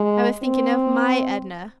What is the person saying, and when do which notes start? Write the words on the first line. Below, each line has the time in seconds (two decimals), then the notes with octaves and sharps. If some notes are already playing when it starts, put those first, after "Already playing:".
I was thinking of MY Edna.
Already playing: G#3
0.43 C4